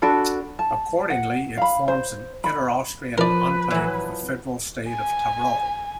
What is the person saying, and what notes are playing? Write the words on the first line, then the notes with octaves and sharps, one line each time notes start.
Accordingly, it forms an inner-Austrian exclave of the federal state of Tyrol.
D4 F#4 A4 B5
A5
F#5
F5 B5
C5
B5
F3 A#4 B4 D5
E3 F#3
G#5